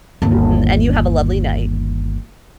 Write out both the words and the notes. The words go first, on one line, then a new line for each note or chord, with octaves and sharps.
Mhm, and you have a lovely night.
G1 D#2